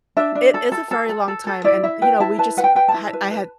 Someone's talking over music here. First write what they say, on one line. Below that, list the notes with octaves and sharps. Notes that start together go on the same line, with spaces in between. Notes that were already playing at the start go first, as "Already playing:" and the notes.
It is a very long time, and, you know, we just had I had
D4 E5
D4
A4
A4
A4
A4
A4
A4
E4 D5
E4 E5
B4 G5
E4 A5
B4 A5
B4 F#5
G5
B4 G5
A5
E4
B4
B4